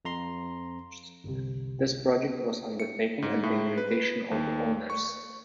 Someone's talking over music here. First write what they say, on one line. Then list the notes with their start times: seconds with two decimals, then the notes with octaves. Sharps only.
This project was undertaken at the invitation of the owners.
0.05 F2 A#5 C6
1.24 G1 C2 C3
2.80 C#7
3.22 G#2
3.43 A2
3.78 B4
4.31 D#2
4.90 C#6